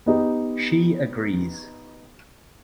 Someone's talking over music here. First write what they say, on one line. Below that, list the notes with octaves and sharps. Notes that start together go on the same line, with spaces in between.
She agrees.
B3 D#4 G4